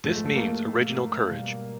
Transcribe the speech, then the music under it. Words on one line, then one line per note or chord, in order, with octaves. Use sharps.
This means original courage.
G#2 F3 A3
G#3
A3
A#3
B2 G3